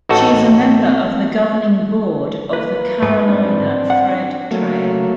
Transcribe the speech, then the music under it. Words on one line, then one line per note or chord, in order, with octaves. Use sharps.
She is a member of the governing board of the Carolina Thread Trail.
A1 D#4 F#4 A4
A#3 B4
G#2 B4 B5
C4 D4
F#5
F#3 A3 A#3